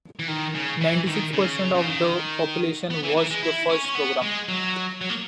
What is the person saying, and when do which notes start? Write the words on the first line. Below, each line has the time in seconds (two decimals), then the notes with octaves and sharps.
Ninety-six percent of the population watched the first program.
0.19 E3
0.28 D#3
0.55 C#3
0.81 E3
1.07 D#3
1.33 C#3
1.74 C#3
1.86 D#3
2.90 B3
3.03 E3
3.17 E3
3.31 G#3
3.43 E4
3.70 C#4
3.85 C#4
3.95 B3
4.22 G#3
4.48 F#3
5.01 F#3
5.10 A#3